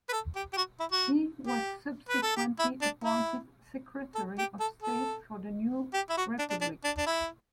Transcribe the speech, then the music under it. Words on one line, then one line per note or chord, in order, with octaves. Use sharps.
He was subsequently appointed Secretary of State for the new republic.
B4
A4
G4
G4
F#4
E4
F#4
G4
B4
A4
G4
E4
D4
E4
A4
G4
A4
A4
G4
E4
F#4
D4
D4
D4
D4
D4
E4